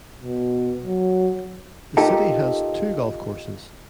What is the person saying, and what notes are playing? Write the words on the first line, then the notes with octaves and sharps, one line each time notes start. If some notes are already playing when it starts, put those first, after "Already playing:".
The city has two golf courses.
B2
F#3
D#4 F4 G4 A4 A#4